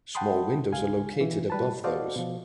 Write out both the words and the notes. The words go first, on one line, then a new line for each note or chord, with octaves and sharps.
Small windows are located above those.
F#5 G5 A5 B5 C6 D#6
C#2 F5 G#5
B2 E3
G3 B4 A5
F#4 A4 C5 D5 D#5 F5
B2 F3